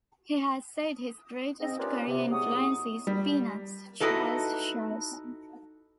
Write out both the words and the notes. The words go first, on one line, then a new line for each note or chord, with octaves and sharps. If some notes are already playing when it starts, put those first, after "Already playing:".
He has said his greatest career influence is "Peanuts"' Charles Schulz.
G#2 C4 D#5
A#3 C#4 F4 G4 B4 D5
C3
F#3 G#3 B3 C#6 D#6
G3
D#4 E4 F#4 A4 B4